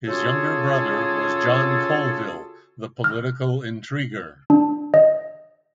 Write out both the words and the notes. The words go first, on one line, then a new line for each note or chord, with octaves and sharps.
His younger brother was John Colville the political intriguer.
C#3 F4 F#4 G#4 A4
F6
D4
D#5